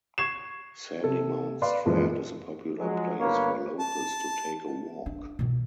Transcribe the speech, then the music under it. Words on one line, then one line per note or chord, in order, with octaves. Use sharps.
Sandymount Strand is a popular place for locals to take a walk.
C#6 G#6 C7 E7
C3 A4
B4 D5 F5 C6
F#2 A#2 E3 F3 G#3
F3 F#3 G#3
G1 A#3 B4 C#5
A5
D4
B2 D#3